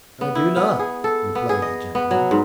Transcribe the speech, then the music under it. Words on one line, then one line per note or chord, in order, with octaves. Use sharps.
"I do not!" replied the gentleman.
B3
E4
B3
G#4
A4
B3
G#4
D#5
B3
F#3
G#2